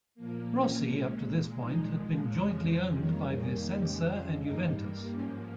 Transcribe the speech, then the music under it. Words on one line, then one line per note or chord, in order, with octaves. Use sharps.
Rossi up to this point had been jointly owned by Vicenza and Juventus.
A#2 F3 A#3
C#4
A#2 G#3 C#4
A#2 F3 G#3 D#4
F2 C#3 F3 G#3 C#5
C5
F2 D#3 G3 A#3 C#5
G#4
F2 C#3 G#3 G4
F4
G2 G3 A#3 D#4
G#2 F3 A#3 C#4